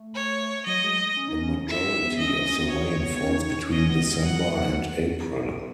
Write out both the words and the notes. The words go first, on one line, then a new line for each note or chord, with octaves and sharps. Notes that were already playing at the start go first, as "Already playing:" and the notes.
The majority of the rain falls between December and April.
Already playing: A3
C#5
F#3 D#5
G#3
C#4
D#4
C#4
E4 E5
D#4
B3
C#4 D#5
C#4
B3
C#4 C#5
B3
C#4
D#4
C#4
C#4 D#5
B3
G#3
F#3 F#5
F#3
G#3
D#4